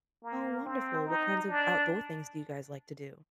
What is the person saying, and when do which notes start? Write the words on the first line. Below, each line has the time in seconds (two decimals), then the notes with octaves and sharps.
Oh, wonderful. What kinds of outdoor things do you guys like to do?
0.23 A#3
0.65 C4
1.06 D#4
1.48 D4